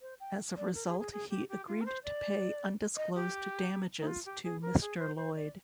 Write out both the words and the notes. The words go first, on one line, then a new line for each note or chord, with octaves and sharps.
As a result, he agreed to pay undisclosed damages to Mr Lloyd.
C5
G5
D5
A#4
G#4
G#4
G#4
G4
G4
F4
A#4
C5
D5
D#5
G4
D#4
F4
G4
G#4
A#4
G#4
C5
C5
D5